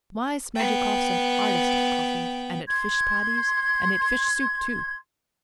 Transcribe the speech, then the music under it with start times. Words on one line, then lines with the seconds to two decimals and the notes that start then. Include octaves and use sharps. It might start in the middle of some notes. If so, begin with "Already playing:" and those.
My Smerdyakov's an artist at coffee and at fish patties, and at fish soup, too.
0.55 B3 G5
2.67 C6 G#6